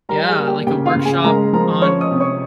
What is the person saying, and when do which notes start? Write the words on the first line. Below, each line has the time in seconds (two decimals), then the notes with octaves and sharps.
Yeah, like a workshop on
0.09 G3 A#4 A#5
0.28 G#4 G#5
0.38 A#3
0.47 G4 G5
0.67 C#3 G4 G5
0.86 F4 F5
0.96 C#3
1.05 G#4 G#5
1.24 G#3 A#4 A#5
1.53 F3 A#4 A#5
1.82 C#4 C#5 C#6
2.01 D#5 D#6
2.11 C3
2.20 C#5 C#6